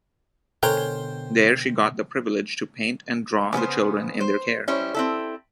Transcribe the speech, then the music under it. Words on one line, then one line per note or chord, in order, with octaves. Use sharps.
There she got the privilege to paint and draw the children in their care.
B2 D3 A4 A#4 C5 C#5 G5 G#5
C#3 B3 G4 C5
C5
G3 C#4 E4 C5 C#5
C4 E4 A4